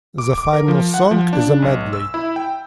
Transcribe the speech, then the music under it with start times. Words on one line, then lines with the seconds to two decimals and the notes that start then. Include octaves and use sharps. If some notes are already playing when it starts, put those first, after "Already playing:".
The final song is a medley.
0.18 D6
0.38 D6
0.53 A#4
0.68 F3
0.94 F#5
1.11 F3
1.33 D4
1.62 B1
1.93 E6
2.14 E4
2.36 G5